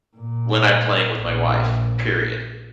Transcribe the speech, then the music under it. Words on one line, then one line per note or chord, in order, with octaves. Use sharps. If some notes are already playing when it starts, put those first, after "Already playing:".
when I'm playing with my wife, period.
A#2
A#1